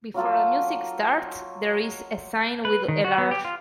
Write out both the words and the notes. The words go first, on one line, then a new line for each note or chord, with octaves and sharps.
Before the music starts, there's a sign with a large !
F#3 A#3 F4 A4
B4
D#3
F#4
B3
G4
F4